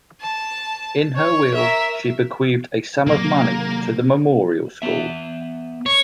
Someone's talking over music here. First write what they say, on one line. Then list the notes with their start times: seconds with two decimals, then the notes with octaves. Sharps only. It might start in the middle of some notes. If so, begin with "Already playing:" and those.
In her will, she bequeathed a sum of money to the Memorial School.
0.21 A5
1.17 C#5
1.54 A#4 E5
3.07 C3 D#3 F#3 A#3
4.82 B3 E5
5.86 C#5